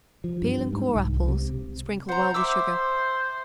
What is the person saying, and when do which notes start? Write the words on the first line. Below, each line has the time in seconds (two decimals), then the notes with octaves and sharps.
Peel and core apples; sprinkle well with sugar.
0.24 F3
0.42 G2
0.73 G#2
0.95 C2
1.28 C3
2.09 C5 F#5 A#5
2.34 C5 E5 D6 E6